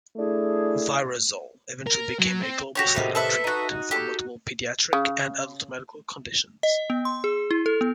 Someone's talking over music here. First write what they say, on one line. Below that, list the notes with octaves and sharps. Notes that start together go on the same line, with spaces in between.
Virazole eventually became a global standard treatment for multiple pediatric and adult medical conditions.
A3 D4 E4 G#4
A#4
F#3
C4
F#4 G4 C#5
A2 C3 D#3
A4 B4 E5
D#4 F#4
G4 A4
C#3
D#5
B3
C6
G#4
E4
A4
B3